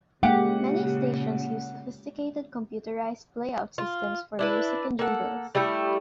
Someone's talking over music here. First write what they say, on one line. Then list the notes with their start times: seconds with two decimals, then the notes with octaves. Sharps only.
Many stations use sophisticated computerised playout systems for music and jingles.
0.23 A#2 C#3 G#3 A#3 G4 F#5
3.78 F4
4.39 D4 E4 B4
4.99 A#3 A4 F#5
5.55 G3 A3 E4 G4